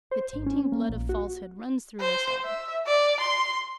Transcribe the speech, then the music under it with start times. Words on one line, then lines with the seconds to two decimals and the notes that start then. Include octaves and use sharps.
The tainting blood of falsehood runs through us all.
0.11 C5
0.33 G#1
0.46 C#4
0.72 A#3
0.89 A#1
1.09 F#4
2.01 C5
2.44 E5
2.87 D5
3.21 C6